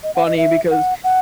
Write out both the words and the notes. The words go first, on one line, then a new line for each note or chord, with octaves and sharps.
funny because
D#5
F#5
D#5
E5
F#5
F#5